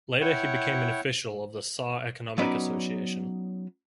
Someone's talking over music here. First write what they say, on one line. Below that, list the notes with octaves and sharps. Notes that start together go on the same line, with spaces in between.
Later he became an official of the Saar Economic Association.
E4 C#5 F#5 G5
F#3 B3 C#4 D#4 B4 D5